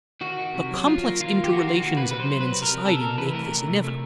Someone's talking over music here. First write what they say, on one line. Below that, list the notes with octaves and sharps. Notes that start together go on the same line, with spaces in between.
The complex interrelations of men in society make this inevitable.
D#3 F#4
D#3
C3
F#3
F#3 F4
A#3
D#3 F4
A#3
G4
A#3 F#4
D#3 F4
F#4
A#3
B4
C3
B4
F#3 C5
F#3
B4
C3
A#4
C3
C3 A4
C3 A#4
E3 B4
A3 A#4
C3
C3
A3